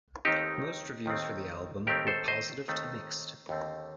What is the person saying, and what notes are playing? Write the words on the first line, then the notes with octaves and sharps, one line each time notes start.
Most reviews for the album were positive to mixed.
D#2 D#3 A3 C4 D#4 G4
D#2 D#3 A3 C4
D#2 D#3 A3 C4 G4 A#4
A4 C5
C5 D#5
D#2 D#3 A3 C4
D#2 D3 A3 C4